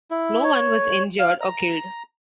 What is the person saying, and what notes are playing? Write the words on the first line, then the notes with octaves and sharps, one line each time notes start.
No one was injured or killed.
E4
C#5
F5
A#5